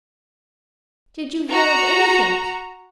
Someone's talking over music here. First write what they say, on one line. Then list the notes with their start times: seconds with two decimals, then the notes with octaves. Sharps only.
"Did you hear of anythink?"
1.50 F#4 A#5